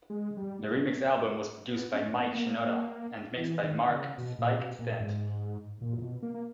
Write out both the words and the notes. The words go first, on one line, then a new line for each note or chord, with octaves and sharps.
The remix album was produced by Mike Shinoda and mixed by Mark "Spike" Stent.
G#3
G3
B3
C#4
B3
A#3
E3
D#3
C#3
B2
A#2
B2
A#2
G#2
A#2
B2
A#3
A#3